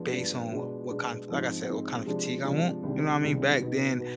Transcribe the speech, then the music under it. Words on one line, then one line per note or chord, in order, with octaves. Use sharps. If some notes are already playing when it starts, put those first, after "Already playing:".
based on what what kind of like I said, what kind of physique I want, you know what mean? Back then
Already playing: G2 F3 G#3 B3 D4
G2 F3 G#3 B3 D4
B2 G#3 D4
B2 G#3 D4
G#2 F3 C4 D#4
G#2 F3 C4 D#4
C3 F3 G#3 D4
C3 F3 G#3 D4
C2 C3 D#3 G#3 D4
C2 C3 D#3 G#3 D4
B2 B3 D#4
B2 B3